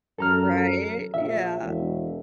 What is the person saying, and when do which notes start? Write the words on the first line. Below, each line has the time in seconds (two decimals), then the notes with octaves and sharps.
Right, yeah.
0.18 F#2 A4 A#5 F6
1.14 A#1 E5
1.62 E1